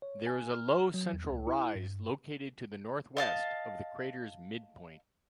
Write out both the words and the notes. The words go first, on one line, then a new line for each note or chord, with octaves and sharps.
There is a low central rise located to the northwest of the crater's midpoint.
C#5
G#5
F6
F#3
E2
C#2
E4
G2
D#5 F5 A5